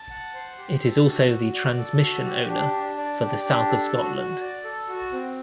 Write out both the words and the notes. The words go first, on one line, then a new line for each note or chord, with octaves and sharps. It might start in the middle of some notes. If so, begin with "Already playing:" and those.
It is also the Transmission Owner for the south of Scotland.
Already playing: A5
F#5
C5
G4
A4
F#4
F#4
D5
A4
F#4
G4
D4
D4
D5
G4
D4
A4
F#4
F#4
D5
A4
F#4
C4